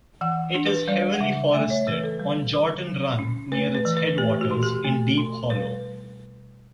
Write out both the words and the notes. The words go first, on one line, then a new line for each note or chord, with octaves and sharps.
It is heavily forested, on Jordan Run near its headwaters, in Deep Hollow.
E3 F#5
D4
B4
G3 D5
F#5
C#3 E5
A3 E5
C#5
E3 B4
A4
G3
D3
F#3
C#4
A3 B4
B4
E3
B4
A3 G4
F#4
B2
G4
A3
B2
G3 B4